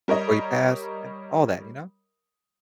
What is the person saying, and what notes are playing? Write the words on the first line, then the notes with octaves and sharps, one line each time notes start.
before he passed, and all that, you know?
G3 A#4 C#5 D#5